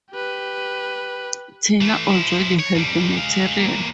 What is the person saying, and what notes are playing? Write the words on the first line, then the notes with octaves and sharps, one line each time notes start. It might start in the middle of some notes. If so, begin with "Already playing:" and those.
Tina already had the material.
G4 B4
E3 A3
F3 E4
C#5
F2 G3
G#3 F5
E2 A#3